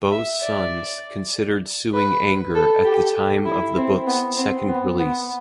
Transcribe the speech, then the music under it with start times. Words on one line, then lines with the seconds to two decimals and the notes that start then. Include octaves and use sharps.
Bow's sons considered suing Anger at the time of the book's second release.
0.12 E5
0.42 D5
1.94 B4
2.54 A4
2.85 G4
3.45 E4
3.76 C4
4.07 B3
4.37 C4
4.67 B3
4.98 B3